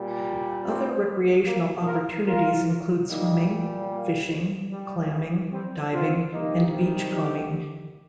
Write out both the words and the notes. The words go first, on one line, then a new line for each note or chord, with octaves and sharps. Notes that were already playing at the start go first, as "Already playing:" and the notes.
Other recreational opportunities include swimming, fishing, clamming, diving, and beachcombing.
Already playing: A#2 G3
G3 C4
A#3
F4 A#4
F4 A#4
A#2 G3 A#3 D#4
A#3
G3
G3 C4
C4 F4
C3 D#3 G3 A#3 D#4
D#4 G4